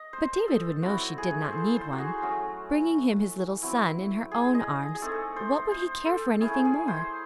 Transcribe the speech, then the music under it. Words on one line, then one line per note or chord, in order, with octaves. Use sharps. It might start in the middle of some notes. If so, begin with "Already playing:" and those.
But David would know she did not need one; bringing him his little son in her own arms, what would he care for anything more?
Already playing: D#5
C5
A4
F#3 C4 E4 F#4
G#4
C5
A4
C5
F#4
G#4
F#3 A3 C#4
F#3 C4 E4
G#4
D#5
G#4
A3 C4 D#4 A4
C5
C5
A4
A3 C#4 E4 G#4
G#4
C5